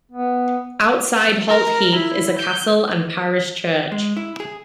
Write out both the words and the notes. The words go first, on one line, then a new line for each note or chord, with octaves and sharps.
Outside Holt Heath is a castle and parish church.
B3
A#4
E4
G6
G#3
E4
G#4